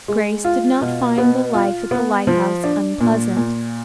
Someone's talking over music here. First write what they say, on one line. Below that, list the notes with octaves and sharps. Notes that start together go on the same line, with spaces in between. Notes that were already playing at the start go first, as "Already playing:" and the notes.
Grace did not find the life at the lighthouse unpleasant.
G#3
F4
B2
B3
F4
B3
F3
D4
A#2
A#2